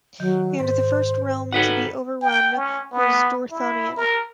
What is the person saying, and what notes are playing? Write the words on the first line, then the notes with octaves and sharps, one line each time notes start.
And the first realm to be overrun was Dorthonion.
D#3 F#3
G#2 C5
D#4 F#4 A4 B4 C#5 F#5
G5
C#4
B3
E4
A#4